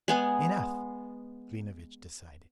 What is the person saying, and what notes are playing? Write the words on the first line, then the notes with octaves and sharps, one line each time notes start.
"Enough!" Klinevitch decided.
G#3 B3 G#4